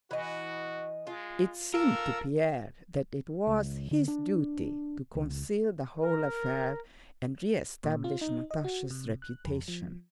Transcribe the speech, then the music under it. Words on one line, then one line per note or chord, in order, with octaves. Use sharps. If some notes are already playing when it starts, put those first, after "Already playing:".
It seemed to Pierre that it was his duty to conceal the whole affair and re-establish Natasha's reputation.
E3 F#4 D#5
G#3 F4
A4 A#4 F5 E6
C#2
D3
D4
C#2
A#4
A#2
F4
D#4
D#5
F#4
C3
F#6
F2
F3